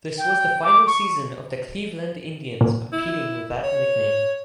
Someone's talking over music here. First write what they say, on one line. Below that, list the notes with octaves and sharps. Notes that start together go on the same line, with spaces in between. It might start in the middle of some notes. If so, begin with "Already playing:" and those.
This was the final season of the Cleveland Indians competing with that nickname.
G5
D6
C#6
A#2
E4
C#5